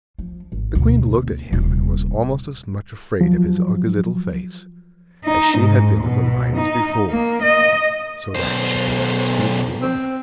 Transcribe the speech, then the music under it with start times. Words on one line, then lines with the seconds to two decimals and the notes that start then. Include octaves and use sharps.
The Queen looked at him and was almost as much afraid of his ugly little face as she had been of the lions before, so that she could not speak a word.
0.19 F3
0.52 G#1
0.75 D2 B2
1.50 D#1 C3
3.21 F3 F#3
5.25 D#4
5.57 G#2
6.01 B2
6.55 D#4
7.10 A#3
7.43 D#5
8.35 B1 C5
9.82 C4